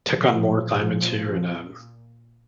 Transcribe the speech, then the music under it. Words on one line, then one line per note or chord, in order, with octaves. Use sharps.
took on more assignments here and, um,
A#2 F3